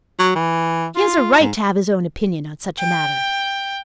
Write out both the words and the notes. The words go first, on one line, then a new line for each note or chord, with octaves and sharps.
"He has a right to have his own opinion on such a matter."
F#3
E3
F4
G#2
G5